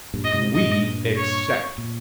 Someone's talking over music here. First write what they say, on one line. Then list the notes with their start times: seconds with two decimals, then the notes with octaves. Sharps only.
We accept.
0.14 G2 A#2
0.24 D#5
0.33 G#2 C3
0.55 G2 A#2 D#5
1.16 C#5
1.78 A#2